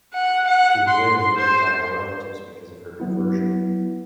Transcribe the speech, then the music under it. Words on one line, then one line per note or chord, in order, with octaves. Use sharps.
She was later murdered by her relatives because of her conversion.
F#5
F#5
C6
C5
F#3 B3 E4